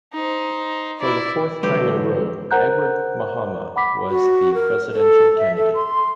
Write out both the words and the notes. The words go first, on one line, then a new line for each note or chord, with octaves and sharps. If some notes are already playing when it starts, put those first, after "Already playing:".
For the fourth time in a row, Edward Mahama was the presidential candidate.
D#4 C5
E4 D5
D3 E3 F#3 G#3 G4 B4 E6
A#4 C5 F#5 A#5 F#6 G6
F#5 B5 D6 B6
F#4
A#4
A4
E5
A4
C6